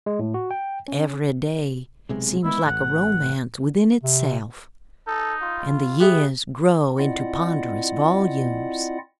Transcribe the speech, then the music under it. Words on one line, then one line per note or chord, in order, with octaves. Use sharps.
Every day seems like a romance within itself, and the years grow into ponderous volumes.
G#3
A2
F#4
G5
C#4
B1 C3 G#3
G#3 B3 E4
A1 F#5
C3
D#4 A4
F4
B3 G4 G#4 E5
C4 E4 F4 D5 D#5 F#5